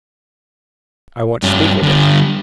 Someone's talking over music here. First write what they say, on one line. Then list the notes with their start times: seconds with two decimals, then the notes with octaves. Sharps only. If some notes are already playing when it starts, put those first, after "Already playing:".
"I want to speak with him."
1.43 G2 C#4
1.83 D3 G3